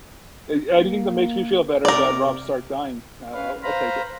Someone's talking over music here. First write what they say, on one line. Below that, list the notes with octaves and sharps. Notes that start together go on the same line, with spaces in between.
a anything that makes me feel better about Rob Stark dying, I'll I'll I'll take it.
A#3
C3 A#4 D5
C#4 B4 F5
B4 C5 F5 A#5 B5